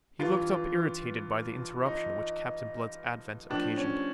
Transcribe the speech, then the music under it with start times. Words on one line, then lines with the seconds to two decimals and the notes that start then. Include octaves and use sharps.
He looked up irritated by the interruption which Captain Blood's advent occasioned.
0.19 G2 E3 F4
1.86 D#4
3.50 A2 F3 D4
3.78 C#4